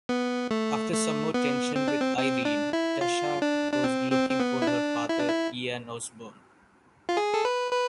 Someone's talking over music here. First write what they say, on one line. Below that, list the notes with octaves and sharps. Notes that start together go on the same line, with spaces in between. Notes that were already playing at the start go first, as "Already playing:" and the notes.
After some more tension with Irene, Tasha goes looking for her father, Ian Osbourne.
B3
A3
A3
B3
C4
D4
C4
C4
D4
E4
F4
D4
D4
C4
C4
C4
B3
E4
D4
E4
D4
E4
F4
G#4
A4
B4
B4